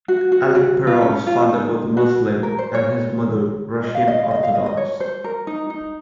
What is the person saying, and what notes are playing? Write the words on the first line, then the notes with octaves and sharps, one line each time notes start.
Alekperov's father was a Muslim and his mother, Russian Orthodox.
F#4
F#4
F#4
F4
C#4
F4
D#4
F#4
A#4
C5
C#5
D#5
F5
D#5
F5
D#5
F5
D#5
D#5
C#5
C5
A#4
D#4
D#4